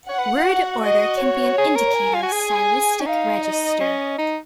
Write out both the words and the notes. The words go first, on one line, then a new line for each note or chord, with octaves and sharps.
Word order can be an indicator of stylistic register.
C#5 F#5
B4
F4
F#4
D#5
C#5
G#4
A#4
G#5
F4
F#4
G#4
C#4
D#4 F5
D#5
C#4
D#4